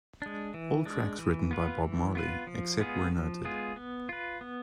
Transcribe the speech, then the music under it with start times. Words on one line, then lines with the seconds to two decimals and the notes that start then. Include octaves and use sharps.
All tracks written by Bob Marley, except where noted.
0.22 G#3 D4
0.54 E3
0.86 G#3 D4
1.19 E3
1.51 B3 F4 B4
1.83 E3
2.15 B3 F4 B4
2.47 F3
2.80 G#3 B3 F4 G#4
3.11 F3
3.45 G#3 B3 F4 G#4
3.76 B3
4.09 F4 B4
4.41 B3